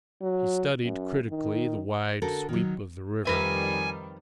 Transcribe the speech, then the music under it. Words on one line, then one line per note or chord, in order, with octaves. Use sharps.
He studied critically the wide sweep of the river.
F#3
F#2
D#3
D3 F#4 A4 A#4
D#3 F#3
F2 D#3 G3 A#4 B4 E5 G#5